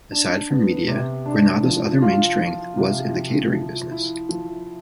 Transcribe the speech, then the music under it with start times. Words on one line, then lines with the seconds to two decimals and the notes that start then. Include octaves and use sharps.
Aside from media, Granada's other main strength was in the catering business.
0.12 D4
0.50 B3
0.88 C3
1.26 D4
1.63 F3
2.02 F4
2.40 F3
2.77 C3
3.15 F3
3.53 F3
3.91 E4
4.29 F3